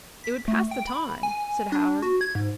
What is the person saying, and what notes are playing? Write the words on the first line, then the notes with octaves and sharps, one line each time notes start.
"It would pass the time," said Howard.
B6
A3
G5
B5
G#5
D4
F#4
G#6
G#2